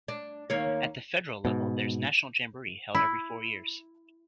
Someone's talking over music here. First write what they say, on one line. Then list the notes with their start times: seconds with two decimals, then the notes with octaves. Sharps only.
At the federal level there's national jamboree, held every four years.
0.08 D4
0.50 D#2 A#3 C#5
1.45 G#2 B2
2.95 E4